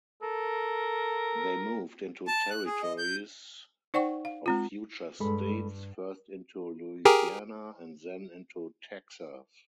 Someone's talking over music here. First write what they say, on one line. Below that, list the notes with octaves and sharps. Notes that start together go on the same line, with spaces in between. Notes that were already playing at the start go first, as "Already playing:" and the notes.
They moved into territories of future states, first into Louisiana and then into Texas.
A4 A#4
A5
F#6
G#4
D#5
G6
D#4 C5 D5 F#5 G5 C#6
F5
G#3 C4 F4
G2 G#3 A4 B5
G4 G#4 A#4